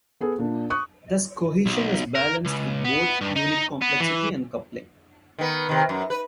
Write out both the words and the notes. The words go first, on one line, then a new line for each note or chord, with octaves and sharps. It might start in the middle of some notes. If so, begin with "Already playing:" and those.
Thus cohesion is balanced with both unit complexity and coupling.
B3 G#4 A4
A#2 D4
C#6 D#6 F#6
B1
A#4
C#2
B3
G2
D#4
B3
E3
D#3 B3
C3 D#3
F#2
B4